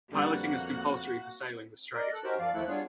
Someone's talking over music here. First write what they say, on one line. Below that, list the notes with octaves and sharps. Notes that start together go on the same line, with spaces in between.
Piloting is compulsory for sailing the strait.
F2 D3 G3 A#3 B3 F#4 F#5
A#4 D5 D#5
A4 F#6
C#4 D#4 F#4 G4 A#4 C5
F#2 F3 D5 F5
D#2 F3 A3 E4 A4 F#6
G3 B3 D4 F4 G#4 C#5